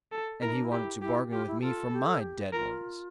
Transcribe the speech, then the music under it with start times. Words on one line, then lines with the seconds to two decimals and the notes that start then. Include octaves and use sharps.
And he wanted to bargain with me for my DEAD ones!
0.12 A4
0.42 E4 A#4
0.53 D4
0.64 E4
0.72 G4
1.02 E4 G4
1.32 F4 G4
1.47 E4
1.62 F4 A4
1.92 G4
2.06 A4
2.20 G4
2.53 F4 A#4